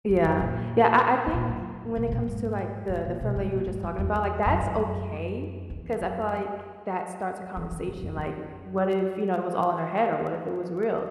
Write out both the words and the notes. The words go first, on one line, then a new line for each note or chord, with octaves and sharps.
Yeah. Yeah, I I think when it comes to, like, the the film that you were just talking about, like, that's okay 'cause I feel like that starts a conversation. Like, what if, you know, it was all in her head or what if it was real?
E2
F#2
A#2
A#2
F#2
A#2
B2
A#2
G#2
G#2
A#2
B2
G#2
A#2
G#2
F#2
E2
F#2
G#2
F#2
E2
F#2
E3
D#3
F#2
F#2
F#2